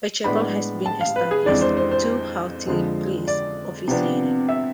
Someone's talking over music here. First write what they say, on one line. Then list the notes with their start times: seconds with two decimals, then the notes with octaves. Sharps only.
A chapel has been established, two haughty priests officiating.
0.24 A2 G#3 B3 D4 B5
0.86 A5
1.01 F5
1.16 B4
1.31 G#4
1.46 F2 E3 G#3 D4 D5
1.61 C5
1.77 C5
1.91 C5
2.67 F2 D3 F3 G#3
3.28 D5
3.88 C3 F3 B3 D4
4.49 E5